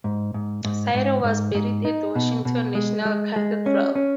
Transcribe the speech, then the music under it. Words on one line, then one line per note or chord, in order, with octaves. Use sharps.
Sayre was buried at Washington National Cathedral.
G#2
G#2
G#2
G#2
G#2
G#2
D#4
B2
B2
G#3
G#3
G#3
C#4
C#4